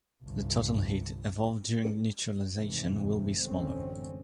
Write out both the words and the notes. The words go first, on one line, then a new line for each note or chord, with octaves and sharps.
The total heat evolved during neutralization will be smaller.
G1 C2
F1 D#2 G#2 C3 E3
A1 F#2 D3 G#3 C4 C#4